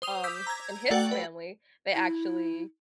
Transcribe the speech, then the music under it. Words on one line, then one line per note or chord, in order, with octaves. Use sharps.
um, in his family, they actually
C5 D#6 F7
D6 E6 G6 B6
A#5 G#6
A3 F#4 D5 F#5 G5
B4
E4